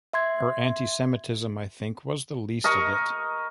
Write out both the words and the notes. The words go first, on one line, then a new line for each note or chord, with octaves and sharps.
Her anti-Semitism, I think, was the least of it.
E5 C6 G#6
A#4 D#5 A#5 C#6